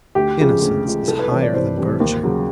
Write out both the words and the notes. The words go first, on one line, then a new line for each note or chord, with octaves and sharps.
Innocence is higher than virtue.
D2 G4
C#3 F3 G#3
D2
C#3 F3 G#3
C2 A4
B4
C3 E3 G3 C#5
D5
C2 C5
C3 E3 G3
D#2
C#3 F#3